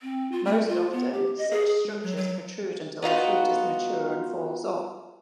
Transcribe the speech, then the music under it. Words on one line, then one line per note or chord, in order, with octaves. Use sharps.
Most often such structures protrude until the fruit is mature and falls off.
C4
F4
A3
F4
B3
G4
D#5
G#4
G#4
G#3
F#3
F#3
B3 D#4 F4 F#4